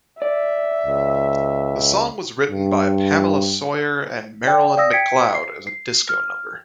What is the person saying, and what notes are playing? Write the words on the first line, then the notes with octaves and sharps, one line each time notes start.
The song was written by Pamela Sawyer and Marilyn McLeod as a disco number.
D5 E5
C#2
G2
D5 G5
D5 F5 D#6 E6 A#6
G5 G#6 B6 C#7 D7
C7
C7
F6